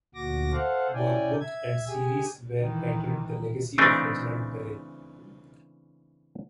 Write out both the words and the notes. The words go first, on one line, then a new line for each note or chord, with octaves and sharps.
Both book and series were titled "The Legacy of Reginald Perrin".
D2 A#2 F#4 D6 A#6
A4 C5 F5 F#5
C#4 E4 D5 G5 G#5
E5 G#6
G4 G#4 G#5
D#3 E3
C#3 E3 A3 C4 D4 D#4